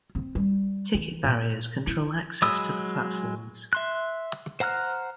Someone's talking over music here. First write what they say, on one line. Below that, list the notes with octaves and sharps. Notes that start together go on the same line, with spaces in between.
Ticket barriers control access to the platforms.
C4
G3
E3
A#2
E4
F#3 G#3 B5 D#6 E6
E5 C6 F#6
C5 F#5 A#5 F6 F#6